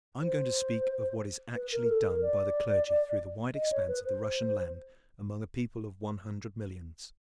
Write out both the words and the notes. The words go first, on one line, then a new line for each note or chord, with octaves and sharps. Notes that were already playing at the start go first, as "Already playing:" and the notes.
I am going to speak of what is actually done by the clergy through the wide expanse of the Russian land among a people of one hundred millions.
C5
B4
A#4
A4
A#4
D5
D#5
C#5
B4
C5